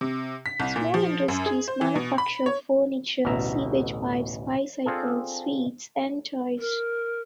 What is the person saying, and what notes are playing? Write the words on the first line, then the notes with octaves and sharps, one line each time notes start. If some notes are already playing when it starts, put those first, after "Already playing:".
Small industries manufacture furniture, sewage pipes, bicycles, sweets and toys.
C3
B6
C2
A#2
F3
F#2
G#4
C5
E3
B2
B5
C#5
A1 D2 B2 E5 A#5
C4 D4 F4 G#4 A4
A#4